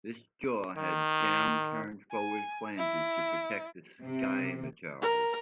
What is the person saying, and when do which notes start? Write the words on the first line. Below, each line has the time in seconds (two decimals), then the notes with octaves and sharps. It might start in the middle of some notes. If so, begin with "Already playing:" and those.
This jaw had down-turned forward flanges to protect the scimitars.
0.76 D#3
2.12 G#5
2.78 E4
4.02 C3
5.02 A#4